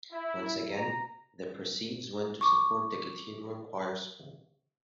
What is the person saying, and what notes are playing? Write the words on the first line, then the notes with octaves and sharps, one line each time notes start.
Once again, the proceeds went to support the Cathedral Choir School.
E4
A#5
C#6 D6